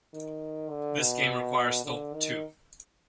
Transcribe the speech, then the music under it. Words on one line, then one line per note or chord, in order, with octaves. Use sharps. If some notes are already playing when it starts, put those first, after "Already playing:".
This game requires thought, too.
D#3
D3
B2
D3
D#3